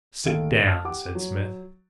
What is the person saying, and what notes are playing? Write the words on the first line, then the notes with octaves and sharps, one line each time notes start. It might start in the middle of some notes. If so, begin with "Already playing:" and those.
"Sit down!" said Smith.
D1 D#2 D#3 A4 F5 D7
A5 F6
G4 F#5 D6
F#3